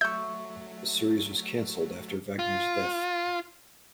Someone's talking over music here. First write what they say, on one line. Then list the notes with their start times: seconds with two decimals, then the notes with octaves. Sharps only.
The series was canceled after Wagner's death.
0.01 F#3 A3 E5 C#6 G6
2.39 F4